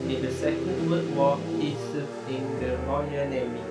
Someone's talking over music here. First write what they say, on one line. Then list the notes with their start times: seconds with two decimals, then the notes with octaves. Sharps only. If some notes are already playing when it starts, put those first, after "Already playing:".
In the Second World War he served in the Royal Navy.
Already playing: F2 C3 E3 G3 G#4
0.77 G#2 E3 G3 A#3
1.66 A#2 G3 A#3 G#4
2.12 A4
2.56 D#2 D#3 F#3 A#3